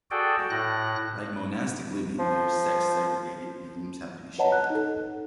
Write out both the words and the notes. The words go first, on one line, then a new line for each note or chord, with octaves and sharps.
Like monastic living, they are sex segregated and rooms have to be shared.
F#4 G#4 A4 D5 G5
A2 F#6 A#6
F3
B4 C#5 D#5 F#5 A5 A#5
F#6
D#4 A4